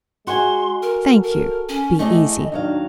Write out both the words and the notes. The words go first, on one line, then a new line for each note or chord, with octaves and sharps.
Thank you; be easy.
G#3 F#4 F#5 G#5 C6
A4 A#4
A#4
C#4
A2 A3 G#4 D5 D#5
D#2 F#3 D4 F5